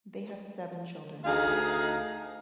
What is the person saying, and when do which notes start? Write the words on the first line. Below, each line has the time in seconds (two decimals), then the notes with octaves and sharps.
They have seven children.
1.24 D2 D#4 G#4 F5